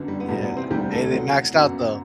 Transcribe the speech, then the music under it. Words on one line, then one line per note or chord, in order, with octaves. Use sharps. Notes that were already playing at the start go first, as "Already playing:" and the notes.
Yeah, and they maxed out, though.
Already playing: G1 F#2 D3
G3
B3
E2 B2 G3 A3
B2 B3
C3 C4
E1 D2 C3 G3 G4
A3 A4
C2 B2 F#3
G1 F#2 F#3